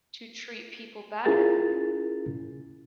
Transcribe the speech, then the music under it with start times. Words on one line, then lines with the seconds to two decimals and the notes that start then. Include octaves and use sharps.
to treat people better,
1.25 C#4 E4 F4 G#4 A#4 A6